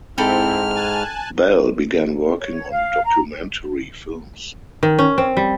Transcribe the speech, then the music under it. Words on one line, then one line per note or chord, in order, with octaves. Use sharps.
Belle began working on documentary films.
G#2 C4 E4 A4 G5 B5 F6
G#5 A5 F#6
C#5
F5
A#5
D#3
C#4
C4
G3